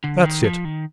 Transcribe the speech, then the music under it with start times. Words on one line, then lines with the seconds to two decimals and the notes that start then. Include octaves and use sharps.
That's it.
0.04 D3
0.24 D#3
0.44 F3
0.65 D#3